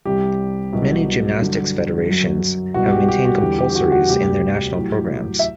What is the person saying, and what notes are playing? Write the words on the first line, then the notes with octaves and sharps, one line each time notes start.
Many gymnastics federations have maintained compulsories in their national programs.
C2 C3 G3 G4
C2 B2 F#3
G2 D3 F#3
F#2 F#3
C2 B2 G3 F#4
G4
G4
F#4
E2 D3 G3 G4
G4
G4
F#4
F#4
D2 C3 G3 G4
A2 F#3
E5